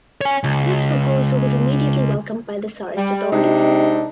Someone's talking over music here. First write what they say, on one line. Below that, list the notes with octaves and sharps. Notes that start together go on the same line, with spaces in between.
This proposal was immediately welcomed by the tsarist authorities.
C#5 G#5
C#2
G3
C3 G#3 C4 D4 D#4